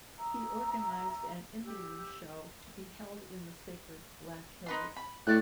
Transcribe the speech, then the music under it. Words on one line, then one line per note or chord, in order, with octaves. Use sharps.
He organized an Indian show to be held in the sacred Black Hills.
E5 A#5 D#6 E6
G4 E6
D#4 B4 C6
B5
A2 A3 D5 F#6